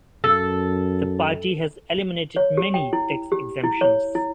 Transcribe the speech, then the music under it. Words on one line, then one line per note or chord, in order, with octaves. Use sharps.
The party has eliminated many tax exemptions.
F#2 A4
C#5
G4
G5
E4
G4
E4
C#5
E4